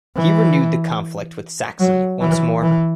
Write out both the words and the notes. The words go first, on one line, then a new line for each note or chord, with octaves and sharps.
He renewed the conflict with Saxony once more.
E3
F#3
E3
E3